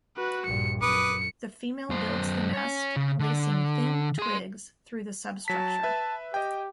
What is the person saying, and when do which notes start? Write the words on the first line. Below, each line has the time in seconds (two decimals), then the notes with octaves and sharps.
The female builds the nest, lacing thin twigs through the substructure.
0.16 F#4 B4
0.45 A#1 G2 C#7
0.82 F#2 B4 D6 D#6 C#7
1.90 F#2 C5
2.53 C#5 G#5
2.96 C#3
3.20 D3
4.19 G#4 C6
5.48 F#3 A5 B6
5.83 B4 E5
6.34 G4 D#5 G5